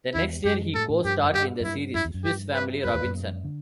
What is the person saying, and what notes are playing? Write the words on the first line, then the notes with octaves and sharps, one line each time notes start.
The next year, he co-starred in the series "Swiss Family Robinson".
E2 E4
F#2 G4
A2 A4
A2
G2 G4
F#2
G2 G4
F#2
G2 E4
F#2 E4
E2
F#2
G2 G4
B4
F#2 B4
E2
F#2
D3